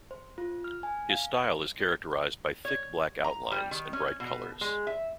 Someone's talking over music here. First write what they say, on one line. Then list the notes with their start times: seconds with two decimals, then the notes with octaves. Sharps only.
His style is characterized by thick black outlines and bright colors.
0.11 C5
0.38 F4
0.64 F6
0.83 G#5
1.10 F5
2.65 C#5
3.24 A#5
3.51 G3
3.71 D#3
3.93 C#4
4.20 B2
4.61 G#3
4.87 E5